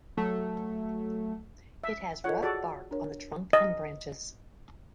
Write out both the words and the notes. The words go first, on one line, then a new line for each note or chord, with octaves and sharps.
It has rough bark on the trunk and branches.
F#3 A3
E5
F4 A4 C#5 D#5 F#5
F#4 G#4 A4 D5
D4 A#4 C#5
D#5